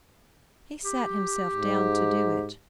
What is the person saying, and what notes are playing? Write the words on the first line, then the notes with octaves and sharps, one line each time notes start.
He sat himself down to do it.
G4
G#2